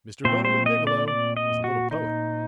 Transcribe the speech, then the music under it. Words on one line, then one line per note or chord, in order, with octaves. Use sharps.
Mr. Bonamy Biggielow was a little poet.
A#2 A3 C4 C5
C5
D#5
D5
D5
D#5
F#4
D#4